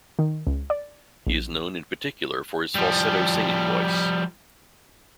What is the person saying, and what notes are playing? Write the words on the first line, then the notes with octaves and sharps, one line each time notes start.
He is known in particular for his falsetto singing voice.
D#3
C#2
D5
A#1
F3 G3